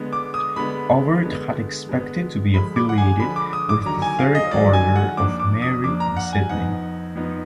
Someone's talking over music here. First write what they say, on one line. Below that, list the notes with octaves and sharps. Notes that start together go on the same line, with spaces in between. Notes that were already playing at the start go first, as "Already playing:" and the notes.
Aubert had expected to be affiliated with the Third Order of Mary in Sydney.
Already playing: D3 G#3 B3
D6
D#6
D3 G#3 B3 B5
D3 G#3 B3
D3 G#3 B3
D3 F3 G#3 B5
D6
F#5
G#5
D3 F3 G#3 B5
D6
D#6
D6
D#2 D3 F#3 A#5
G#5
F5
D#5
D#2 D3 F#3 D5
G#5
F#5
F2 F3 A#3 D4 D6
D6
D#6
F2 F3 A#3 D4 D6
A#5
F#5
G#5
F2 F3 B3 D#4 F#5
F2 F3 B3 D#4